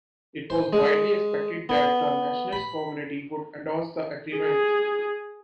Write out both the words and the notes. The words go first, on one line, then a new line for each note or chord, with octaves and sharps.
It was widely expected that the nationalist community would endorse the agreement.
C5
G#3
B3
B5
G#4